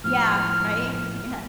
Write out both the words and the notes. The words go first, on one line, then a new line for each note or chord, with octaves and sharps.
Yeah. Right, yeah
A2 F3 F6